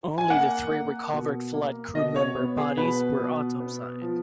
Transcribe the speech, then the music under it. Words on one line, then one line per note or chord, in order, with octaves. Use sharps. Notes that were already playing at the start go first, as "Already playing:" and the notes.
Only the three recovered flight crewmember bodies were autopsied.
G#5
A#3 F#5
A#3
B2
A#3
B2 D#5
C#5
B3
G#4
B2 B4
B2
B3
F3